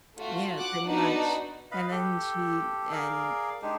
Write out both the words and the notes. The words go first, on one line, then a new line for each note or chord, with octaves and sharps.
Yeah, pretty much. And then she and
A3 F4 F#4
F#5 D6 F#6
B3 D4 D#4 F#4 D5
B4 D#5 F5 B5
G4 A4
G#4 A#4 D5 F5
G#3 D4 D#4 G4